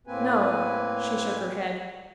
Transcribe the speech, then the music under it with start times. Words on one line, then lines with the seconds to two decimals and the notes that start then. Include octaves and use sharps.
"No." She shook her head.
0.07 A2 A#3 C4 B4 G#5